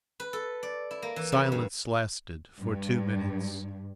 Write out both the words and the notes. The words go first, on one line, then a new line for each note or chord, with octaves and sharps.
Silence lasted for two minutes.
B4
A4
D5
E4
A#3
E3
C#3
G2
G2